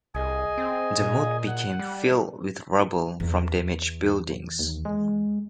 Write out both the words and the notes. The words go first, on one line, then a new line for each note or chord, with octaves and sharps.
The moat became filled with rubble from damaged buildings.
C2 G#4 D#5 G#5
C4
A#2
F#5
G3
E2
D#2
G#3